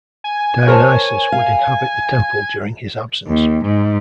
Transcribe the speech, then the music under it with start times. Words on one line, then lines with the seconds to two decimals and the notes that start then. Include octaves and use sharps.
Dionysus would inhabit the temple during his absence.
0.24 G#5
0.68 A#4 C5 C#5 A5
1.32 F5
3.27 D#2
3.64 G#2